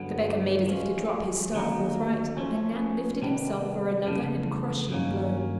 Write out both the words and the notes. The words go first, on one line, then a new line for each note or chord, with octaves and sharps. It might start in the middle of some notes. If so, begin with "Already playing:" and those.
The beggar made as if to drop his staff forthright, and Nat lifted himself for another and crushing blow.
Already playing: G2 D3 F#3 B3
F3 G#3 C#4
D#2 D3 F#3 A#3 D#4
F3 A3 C#4
C3 D#3 G3 B3 D4
F2 C#3 E3 A3
G2 D#3 F#3 A#3 C#4